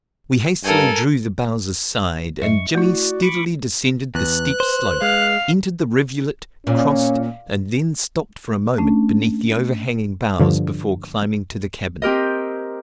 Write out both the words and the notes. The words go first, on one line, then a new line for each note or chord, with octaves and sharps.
We hastily drew the boughs aside, and Jimmy steadily descended the steep slope, entered the rivulet, crossed, and then stopped for a moment beneath the overhanging boughs before climbing to the cabin.
G2 A4 A#4 G#5
F#2 D#5 E5 C#6
A3 E4 F#4 D5
B5 C#6 D6
E2 B4 F#6
C5
G#3 F5
A#2 C#4
A3 C#4 D4
G2 D3 F3
C4 G4 A#4 D#5